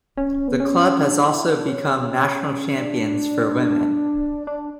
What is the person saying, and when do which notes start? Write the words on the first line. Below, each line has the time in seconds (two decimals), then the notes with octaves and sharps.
The club has also become national champions for women.
0.17 C#4
0.48 B3
0.60 C#4
1.03 D4
1.24 E4
1.46 D4
1.67 C#4
2.75 D4
4.47 D4